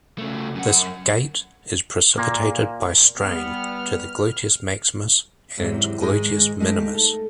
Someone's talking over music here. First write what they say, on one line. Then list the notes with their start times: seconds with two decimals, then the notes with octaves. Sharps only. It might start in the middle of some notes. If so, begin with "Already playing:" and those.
This gait is precipitated by strain to the gluteus maximus and gluteus minimus.
0.18 C#3 A3
0.55 F#2 F#5
2.17 A#2 A#3
3.18 G3 B3 F6
5.57 E2 G#2 C3 D#3 F#3
6.00 G#2 D#3 G#3 F#4 D#5 G#5
6.60 G#3 A3 D#4 A#4 F5 G5
6.94 A4